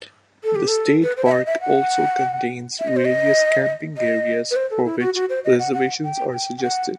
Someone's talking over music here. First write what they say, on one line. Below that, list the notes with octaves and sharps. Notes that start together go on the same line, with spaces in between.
The state park also contains various camping areas, for which reservations are suggested.
A4
G4
A4
B4
C5
E5
D#5
E5
F#5
E5
D#5
C5
D#5
D#5
B4
C5
A4
E4
F#4
F#4
C5
D#5
F#5
F#5
G5
G5
G5
F#5